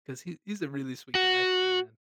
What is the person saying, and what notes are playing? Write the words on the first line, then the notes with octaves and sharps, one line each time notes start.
'cause he he's a really sweet guy, and,
F#4